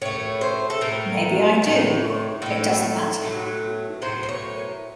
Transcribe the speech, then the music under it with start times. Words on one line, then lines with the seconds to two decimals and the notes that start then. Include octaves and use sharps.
Maybe I do; it doesn't matter.
0.02 A2 A3 C#5
0.41 C5
0.70 A4
0.81 A2 A3 A#4
1.62 A2 A3
2.42 A2 A3 A4
3.22 A2 F#3 A3
4.02 A2 F#3 A3 C5
4.23 C5
4.29 C#5